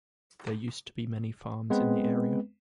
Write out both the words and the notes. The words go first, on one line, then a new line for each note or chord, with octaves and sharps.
There used to be many farms in the area.
G#3 B3 C4 B4